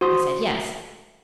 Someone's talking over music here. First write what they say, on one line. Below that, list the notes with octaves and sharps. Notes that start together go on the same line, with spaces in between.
I said yes.
F#4 C5 C6 D#6